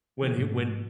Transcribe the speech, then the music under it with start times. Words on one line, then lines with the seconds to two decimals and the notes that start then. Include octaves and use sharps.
when he when
0.22 D3 E3 A#3
0.37 G#2 F3 A3